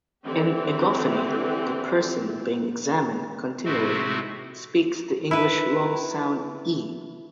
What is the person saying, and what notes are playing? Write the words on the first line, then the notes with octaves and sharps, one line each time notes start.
In egophony, the person being examined continually speaks the English long-sound "E".
D3 E3 C4 G4
A2 C3 G#3 A3 C4 F#4
E4 B4